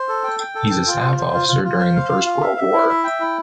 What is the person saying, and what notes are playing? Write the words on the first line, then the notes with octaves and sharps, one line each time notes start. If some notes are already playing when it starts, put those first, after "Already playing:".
He’s a staff officer during the First World War.
Already playing: C5
A4
G5
G5
A4
G5
F4
C5
C5
F4
F4
F4
C5
F5
F4
F5
E5
E5
E4
E5
G5
E4